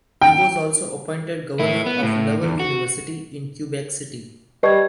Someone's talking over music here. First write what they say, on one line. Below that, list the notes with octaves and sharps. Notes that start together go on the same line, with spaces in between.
He was also appointed Governor of Laval University in Quebec City.
G5
A3 E4
B3
A2
E2
F#4
G3 B4 D#5 C#6 G#6